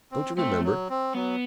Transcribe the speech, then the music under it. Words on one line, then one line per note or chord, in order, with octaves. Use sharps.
'Don't you remember?
C4
A3 C4
F#3
C4
F#3 B3